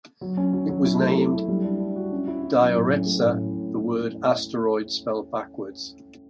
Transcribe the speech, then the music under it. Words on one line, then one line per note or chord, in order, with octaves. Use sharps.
It was named "Dioretsa", the word "asteroid" spelled backwards.
F#3
C#4
F#3
F#3
E4
A3
A3
E4
G3
D4
D4
F#4
C#4
E4
E4
F#3
A2
C#4
A3
A2